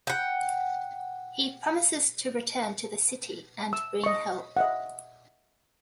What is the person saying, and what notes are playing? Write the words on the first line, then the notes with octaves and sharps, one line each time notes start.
He promises to return to the city and bring help.
F#5 G5
E6
D#5 C#6
D#5 E5 F#5